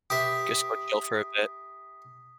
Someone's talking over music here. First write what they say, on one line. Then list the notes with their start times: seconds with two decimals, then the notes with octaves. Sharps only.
Just go chill for a bit.
0.10 G4 B4 E5 D#6 B6